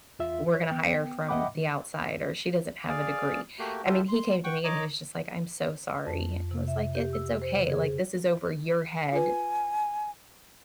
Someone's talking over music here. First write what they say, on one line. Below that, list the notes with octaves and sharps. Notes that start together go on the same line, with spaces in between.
we're gonna hire from the outside," or, "She doesn't have a degree," I mean, he came to me, and he was just like, "I'm so sorry," And it was like, "It it's okay, like, this is over your head,
E2 F4 E5
C#5
B3 G5
D#5 E5 F#5 G5 B5 D6
D#3
G#4 D5 F5
A3 A#3 F#4 G4
E4 F4 G4 A4
C6
F#5 G5 C#6
C#5 D#5 A#5 D6
F2
C3
E5
G4
E6
C5
C#3
G#4
F4 B4 G#5